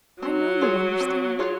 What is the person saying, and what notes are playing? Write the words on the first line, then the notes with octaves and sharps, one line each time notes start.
I know you understand.
F#3 C4
F4 G#4 C#5
C4
F4 G#4 C#5